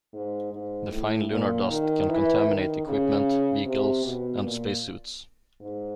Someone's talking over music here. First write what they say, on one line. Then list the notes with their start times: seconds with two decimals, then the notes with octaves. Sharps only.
The fine lunar dust can contaminate equipment, vehicles, and space suits.
0.14 G#2
0.52 G#2
0.91 A2
1.30 A#2
1.70 D#3
2.09 E3
2.48 D#3
2.87 C#3
3.65 C3
4.04 B2
4.42 A#2
5.60 G#2